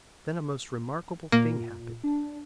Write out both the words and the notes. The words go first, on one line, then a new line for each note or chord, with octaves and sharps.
Then a most remarkable thing happened.
A#2 A#3
D4